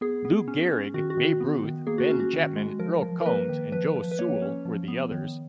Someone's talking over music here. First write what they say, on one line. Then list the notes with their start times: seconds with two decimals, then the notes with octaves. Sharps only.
Lou Gehrig, Babe Ruth, Ben Chapman, Earle Combs and Joe Sewell were the others.
0.01 B3 G#4
0.25 B3
0.48 C#4
0.71 C#4
0.94 D#3 F#4
1.10 F#4
1.17 D#3
1.41 B3
1.64 D#3
1.87 A#3 G#4
1.98 F#4
2.10 C#4
2.20 F#4
2.33 D#3
2.56 G#3
2.79 F3 A#4
3.03 F3
3.21 A#4
3.26 A#3 B4
3.49 D#3
3.72 F3 B4
3.96 F3
4.11 B4
4.19 A#3 C#5
4.42 C#4
4.65 F3
4.88 B3
5.12 D#3